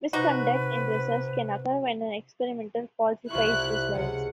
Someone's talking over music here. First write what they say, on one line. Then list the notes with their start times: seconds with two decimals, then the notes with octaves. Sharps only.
Misconduct in research can occur when an experimenter falsifies results.
0.13 C3 D#4 F#4 B4 C5
3.30 C2 E4 F4 C#6 F#6
3.95 C#2 F#5